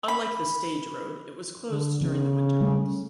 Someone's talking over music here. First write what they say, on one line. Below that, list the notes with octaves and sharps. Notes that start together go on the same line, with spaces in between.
Unlike the stage road, it was closed during the winter months.
B5
D3
C#3 E3 B3
G3 A3 C#4